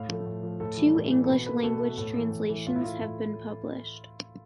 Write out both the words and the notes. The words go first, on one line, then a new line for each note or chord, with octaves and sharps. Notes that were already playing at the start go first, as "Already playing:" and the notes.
Two English language translations have been published.
Already playing: A2 F5
F3 A3
A2
F3 A3
A2 A4
E3 G3
A2
E3 G3
A4
B2 B4
A3 B4
B2 A4
A3
A2 A4
E3 A3
A2
E3 A3
A2 F4
E4
E3 A3 F4
A2